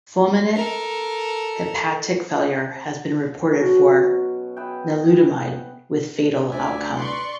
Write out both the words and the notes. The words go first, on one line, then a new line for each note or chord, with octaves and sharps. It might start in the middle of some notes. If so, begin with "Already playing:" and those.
Fulminant hepatic failure has been reported for nilutamide, with fatal outcome.
A4 A#4
B2 F#3 C#4
G#4 B4 E5 G5
D2 D5 E5 G#5
B4 D5 C6 C#6